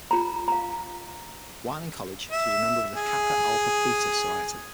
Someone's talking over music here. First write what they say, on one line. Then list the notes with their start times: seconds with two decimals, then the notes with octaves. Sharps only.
While in college, she was a member of the Kappa Alpha Theta sorority.
0.11 F4 A#5
0.48 F5 A#5
2.31 E5
2.96 G#4